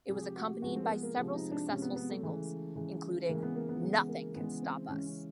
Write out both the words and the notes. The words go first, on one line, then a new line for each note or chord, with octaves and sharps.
It was accompanied by several successful singles, including Nothing Can Stop Us.
C3 F3 G#3 G#4
G4
F#4
G4
C3 F3 G#3 F#4
C4
A#3
B3
A#3
C3 F3 G#3 B3
D#4
D4
C3 F3 G#3 C#4
B3
B3
A3
C#3 E3 G#3
C#3 E3 G#3
C#3 E3 G#3 A#3
B3
A#3
B3
C#3 E3 G#3 B3
A#3
C#3 E3 G#3 B3
C4
C#3 E3 G#3 C#4
C#4